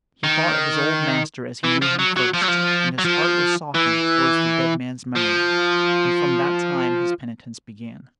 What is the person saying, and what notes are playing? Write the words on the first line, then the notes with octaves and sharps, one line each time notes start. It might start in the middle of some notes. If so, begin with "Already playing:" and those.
He thought of his old master as he knew him first, and his heart was softened towards the dead man's memory; and from that time his penitence began.
D#3
E3
F3
F#3
F#3
F3
F#3
F3
F#3
F3
E3
F3